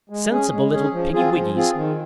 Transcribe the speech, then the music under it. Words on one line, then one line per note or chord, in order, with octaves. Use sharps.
Sensible little piggywiggys.
G#3
C#4 G#4
G#3
C#4 G#4
F3
C4 F4 G#4
F3
C4 F4 G#4
D#3